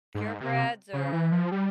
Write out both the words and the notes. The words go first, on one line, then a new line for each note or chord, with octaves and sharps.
purebreds or
G#2
C3
C#3
E3
F3
G3